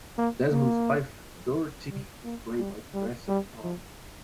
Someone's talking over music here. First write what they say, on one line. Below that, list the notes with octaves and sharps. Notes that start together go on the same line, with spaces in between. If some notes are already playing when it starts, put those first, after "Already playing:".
Desmond's wife, Dorothy, is played by Teresa Palmer.
A#3
A#3
G3
A#3
G3
G3
G3
F3